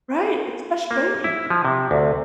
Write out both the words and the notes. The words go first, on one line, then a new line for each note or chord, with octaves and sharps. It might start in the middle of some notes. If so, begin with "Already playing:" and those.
Right, it's frustrating.
A#3
E4
F3
C3
D2